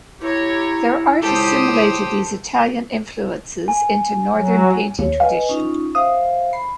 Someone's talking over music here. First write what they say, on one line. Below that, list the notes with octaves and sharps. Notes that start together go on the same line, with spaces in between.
Their art assimilated these Italian influences into the Northern painting tradition.
E4 G4 C#5 A#5
C#2 G4 A4 C5 D#6
G#5
F#3
D#2 C#5
B4 D#5 F5 G#5
C#4 D#4 F4
C5 E5 F5 D#6
B5 C7